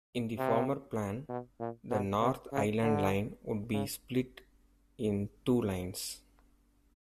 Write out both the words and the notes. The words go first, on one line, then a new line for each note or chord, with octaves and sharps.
In the former plan, the North Island Line would be split in two lines.
C3
B2
A#2
B2
C3
C#3
D3
C#3